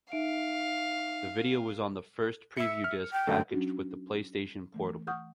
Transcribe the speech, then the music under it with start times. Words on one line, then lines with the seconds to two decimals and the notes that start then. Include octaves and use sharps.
The video was on the first preview disk packaged with the PlayStation Portable.
0.12 D#4 E5 F5 D7
2.57 E5 E6 C#7
2.84 F6
3.12 G5
3.27 F#2 D3 A3
3.51 F#3 C#4 D4 F#4
4.74 E3 A3
5.07 F#5 C#6 D#6 F6 G6